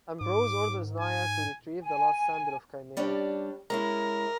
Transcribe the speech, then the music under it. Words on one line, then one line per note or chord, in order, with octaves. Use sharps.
Ambrose orders Nyah to retrieve the last sample of Chimera.
G#2 D6
G#5
G#5
G3 C#4 D4
G#3 C#4 E4 A#4